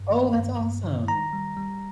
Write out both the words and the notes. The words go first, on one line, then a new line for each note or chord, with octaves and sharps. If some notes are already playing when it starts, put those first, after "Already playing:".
Oh, that's awesome!
Already playing: G2
D#3
G2
G2
D#3
D#3 A#5
G3
G3